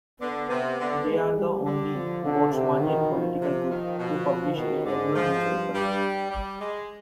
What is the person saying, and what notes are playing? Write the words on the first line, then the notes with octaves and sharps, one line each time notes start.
They are the only Botswanian political group who publish a regular newspaper.
D3 B3
C3 B3
D3 B3
G#3
G3
D3 G3
F3
B2 D3
C3
D#3
F3
C3
D#3
B2
B2 D#3
G#2 D3
G#2 F3
G2
G2 G3
G3
G#3